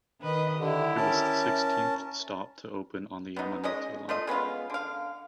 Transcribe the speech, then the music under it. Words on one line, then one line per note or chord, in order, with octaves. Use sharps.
It was the sixteenth stop to open on the Yamanote Line.
D#3 B4 D#5
D3 E4 G4
C#4 A#4 A5
B3 D#4
G#3 C#4 D#5
A3 F4 D#5
G#3 B3 C#4 F4
D3 F5